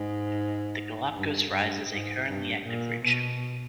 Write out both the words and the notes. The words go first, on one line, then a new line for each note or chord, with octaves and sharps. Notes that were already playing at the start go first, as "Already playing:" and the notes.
The Galapagos Rise is a currently active ridge.
Already playing: G#2
G2
G2
G#2
G2
A#2
B2